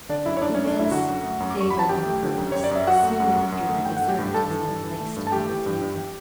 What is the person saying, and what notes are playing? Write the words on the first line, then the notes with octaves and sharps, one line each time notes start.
Events favor my purpose soon after the dessert has been placed on the table.
D3 D4 D5
F#2 E4 E5
C#5
F#2 D4 D5
A3 C#4 C#5
D4 D5
F#2 E4 E5
D3 F#4 F#5
F#2
A3
F#2
D6
F#2 C#6
F#2 B5
A5
F#2 G4 G5
A3
D3
F#2
F#2 C#5
D5
F#2 E5
F#2 F#4 F#5
A3
F#2
F#2
F#2
A3
G2 G5
F#5
A3
G4 G5
G2
G2 A4 A5
E3
G2
E3
A3
G2
A5
A3 G4 G5
E3
G2
G2